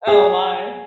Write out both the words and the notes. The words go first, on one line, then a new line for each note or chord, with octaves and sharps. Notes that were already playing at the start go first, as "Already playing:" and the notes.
Oh my.
G#4